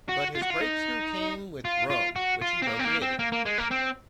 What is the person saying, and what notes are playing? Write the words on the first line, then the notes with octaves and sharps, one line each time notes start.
But his breakthrough came with "Rome", which he co-created.
F#4
F4
F#4
F4
D#4
F4
F4
F#4
F4
C4
A#3
C4
A#3
C4
A#3
A#3
G#3
A#3
C4